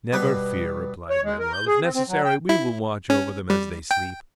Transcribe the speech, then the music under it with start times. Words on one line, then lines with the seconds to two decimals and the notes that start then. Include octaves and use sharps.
"Never fear!" replied Manoel; "if necessary we will watch over them as they sleep."
0.13 G2 B2 B4 D#6
1.10 C#5
1.24 G#3
1.39 A#4
1.53 G6
1.67 G#4
1.82 C4
1.94 C4
2.08 F#3
2.25 G5
2.49 E4
3.10 C#4
3.50 G3
3.91 G5